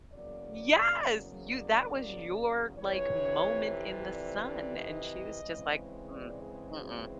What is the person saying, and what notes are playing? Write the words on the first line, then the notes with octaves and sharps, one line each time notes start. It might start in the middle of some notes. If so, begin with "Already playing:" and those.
Yes! "You that was your, like, moment in the sun," and she was just, like, "Mm, mm-mm."
E2 C#3 F#3 A#3 D5
D5
F2 C3 E3 C#5
D5
D5
D#5
C#3 E3 G#3 C4
D5
G#4
F#4